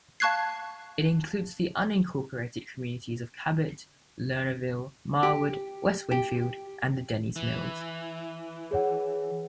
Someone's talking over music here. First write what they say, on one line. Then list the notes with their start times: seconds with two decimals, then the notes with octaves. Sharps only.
It includes the unincorporated communities of Cabot, Lernerville, Marwood, West Winfield, and Dennys Mills.
0.20 F5 A5 C#6 F#6 G#6 C7
5.23 G4
6.11 G4
7.36 E3
8.71 G#4 C#5 F#5